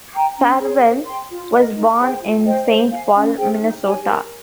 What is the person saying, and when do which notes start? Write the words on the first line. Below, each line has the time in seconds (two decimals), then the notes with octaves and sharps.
Farwell was born in Saint Paul, Minnesota.
0.14 G5 A#5
0.37 C#4
0.60 G#4 C#5
0.83 C5
1.07 G5 C6
1.30 F4
1.53 A#4 D#5
1.76 D#4
1.99 G#4 C5 G5
2.22 F4
2.45 C5 D#5 G5
2.69 C5
2.91 F5 G#5
3.15 C#4
3.37 G#4 C5 G5
3.61 D#4
3.84 G4 C#5 G#5
4.08 A#4